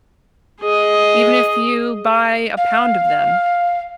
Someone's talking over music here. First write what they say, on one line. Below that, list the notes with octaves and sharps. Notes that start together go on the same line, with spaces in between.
even if you buy a pound of them.
G#4 D#5
F5